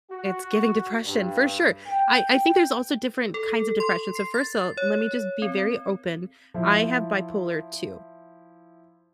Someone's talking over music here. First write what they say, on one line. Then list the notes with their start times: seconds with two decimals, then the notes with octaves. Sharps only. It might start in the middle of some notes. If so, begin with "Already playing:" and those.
it's giving depression," for sure, I I think there's also different kinds of depression, so first of all, let me just be very open, I have bipolar II,
0.11 F#4
1.04 G2
1.87 G5
3.34 A4
3.80 C6
4.15 C7
4.34 A6
4.77 C#5
5.42 C4
6.54 F3 E4